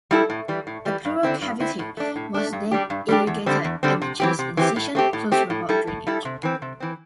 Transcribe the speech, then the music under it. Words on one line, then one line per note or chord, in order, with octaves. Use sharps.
The pleural cavity was then irrigated and the chest incision closed without drainage.
G3 E4 A4
A2
E3 G3
A2
E3 G3
G2
D3 C4 E4
G2
D3 C4 E4
A2
A3 D4
A2
A3 D4
G2
G3 D4 G4
G2
G3 D4 G4
E2
D3 G3 C4
E2
D3 G3 C4
C3
E3 C4 G4
C3
E3 C4 G4
A2
A3 C4 G4
A2
A3 C4 G4
A2
G3 E4 A4
A2
G3 E4 A4
C3
E3 C4
C3
E3 C4